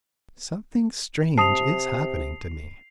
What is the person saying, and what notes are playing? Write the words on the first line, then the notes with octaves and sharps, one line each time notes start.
Something strange is happening to me.
C3 A5 D#6 C7 F7